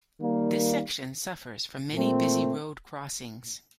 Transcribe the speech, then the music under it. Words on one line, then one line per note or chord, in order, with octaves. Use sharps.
This section suffers from many busy road crossings.
D#3 G3 A#3
A#2 A3 C4